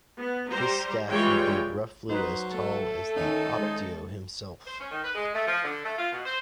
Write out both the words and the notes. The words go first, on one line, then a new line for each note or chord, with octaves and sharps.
This staff would be roughly as tall as the "optio" himself.
B3
G3 G4 C5 A#5
E3 G3 G#3 F4 C#5 G5
F#3 D#4 B4 C5
A3 A4
D#3 C#4 D#4
G#3 G#4 C5
C5
C#4
D#3
B4
G#3
A3
F3
D3
A3
F4
B2
C5